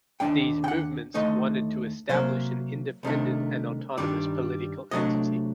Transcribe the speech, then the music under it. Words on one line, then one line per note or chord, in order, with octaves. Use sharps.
These movements wanted to establish an independent and autonomous political entity.
D#2 D3 F#3 A#3 D4 G5
G5
F#5
D#2 D3 A3 D#4 D#5
C3 F#3 A#3 C5
C2 C3 D#3 A3 D4
G2 D#3 G3 D4 D5
C3 F#3 A3 D4 D#5